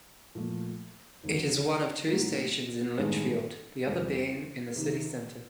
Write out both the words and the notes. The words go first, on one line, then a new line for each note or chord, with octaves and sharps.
It is one of two stations in Lichfield, the other being in the city-centre.
A#2 F3 A3
D#2 C#3 F#3
A2 F#3 A#3 D#4 F#4
A1 G2 D#3 G#3 B3
E2 C3 E3 G3 C4
C3 D#3